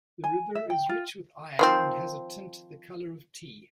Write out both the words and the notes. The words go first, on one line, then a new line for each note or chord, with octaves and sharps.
The river is rich with iron and has a tint the color of tea.
G#5
E5
G5
F4
D#3 F3 C4